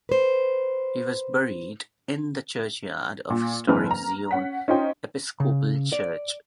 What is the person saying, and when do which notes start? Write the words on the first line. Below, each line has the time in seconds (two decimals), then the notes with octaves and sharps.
He was buried in the churchyard of historic Zion Episcopal Church.
0.09 B4 C5
3.30 A#2
3.67 F#1 E3 C4 B4 A5 F6
3.91 A#5
4.31 C#4 F#5 B6
4.68 C#4 D#4 F4 C5 G5
5.40 C#3
5.93 D5